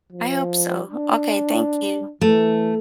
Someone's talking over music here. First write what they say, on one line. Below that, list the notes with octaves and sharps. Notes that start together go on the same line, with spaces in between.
I hope so. Okay, thank you.
F3
D4
E3 A3